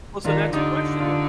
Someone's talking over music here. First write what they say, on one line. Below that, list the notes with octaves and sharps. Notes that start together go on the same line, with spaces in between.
Well, so that's a question then.
D#3 D4 F4
D3 D#4 G4
D4 F4